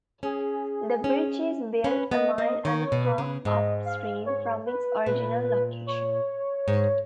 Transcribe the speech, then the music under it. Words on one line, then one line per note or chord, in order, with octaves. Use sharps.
The bridge is built a mile and a half upstream from its original location.
C#4 G#4
C#4
C#4 B4
B3 D#5
A#3 D#5
D#3 C#5
B2
B4
C#3
G#2 D#5
F5
C#5
B4
A#2 B4
C#5
G#2